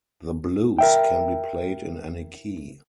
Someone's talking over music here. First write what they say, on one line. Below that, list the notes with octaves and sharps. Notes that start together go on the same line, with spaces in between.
The blues can be played in any key.
A#4 E5 G5